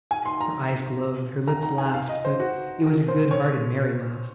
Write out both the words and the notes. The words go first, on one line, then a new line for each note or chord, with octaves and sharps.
Her eyes glowed, her lips laughed, but it was a good-hearted merry laugh.
G#5
C6
A#5
A#5
A#5
G#5
F5
D#5
C5
F#4
A#4
C5
C#5